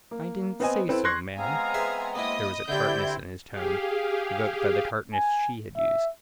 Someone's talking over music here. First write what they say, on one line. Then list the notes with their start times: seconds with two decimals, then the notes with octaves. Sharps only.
"I didn't say so, ma'am." There was a tartness in his tone evoked by the tartness she had used.
0.11 A#3
0.60 B3 C4 D#5 G#5
0.89 C4 E4 A4 B4
1.04 C6 C#6 F#6 G#6 A#6 C7
1.37 G#3 B3 C4 F5 G#5 A#5
1.74 G#4 B4 E5
2.15 A#3 E4 D#5 B5 D#6
2.68 D3 C4 E4 G4 D5 G6
3.51 G4 G#4 F5
5.13 G#5
5.77 E5